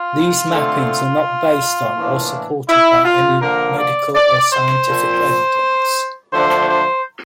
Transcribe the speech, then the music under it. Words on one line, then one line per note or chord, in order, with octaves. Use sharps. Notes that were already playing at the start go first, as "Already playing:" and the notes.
These mappings are not based on or supported by any medical or scientific evidence.
Already playing: F4
D3 A3 C4
A2 E3 A#3 D4
E4
F4
D3 F3 A#3 A#4
D5
D5
C5
A#2 F3 C4
D3 F3 A3 D4 C5
C5